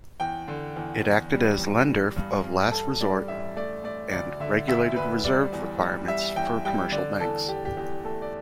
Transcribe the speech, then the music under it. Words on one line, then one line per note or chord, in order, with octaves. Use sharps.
It acted as lender of last resort and regulated reserve requirements for commercial banks.
E2 G5
D3
E2
E2
G3
E2
G3
G2
G2
G2 A4
G3 D5
A1 E5
A3 D5
A3 D5
D2 D5
D3 E5
D2 E5
D2 B4
G3 D5
E2
G3
G3 E5
E2 G5
G3 G5
D3 D5
E2 A4
E2 G4
G4
E2 G4
A3 A4
D5